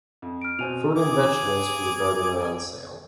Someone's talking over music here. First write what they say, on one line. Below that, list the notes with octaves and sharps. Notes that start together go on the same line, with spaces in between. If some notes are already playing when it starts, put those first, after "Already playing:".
Fruit and vegetables from the garden are on sale.
F2
F6 D7
B2 C4 G#5 D#7 F7
G#4 D6